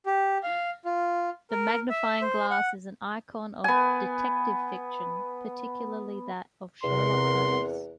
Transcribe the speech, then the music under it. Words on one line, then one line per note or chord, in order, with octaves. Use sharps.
The magnifying glass is an icon of detective fiction, particularly that of Sherlock Holmes.
G4
F5
F4
A#4
E5
C5
F#5
B3 G#5
E2 C3 A#4 F#5 C6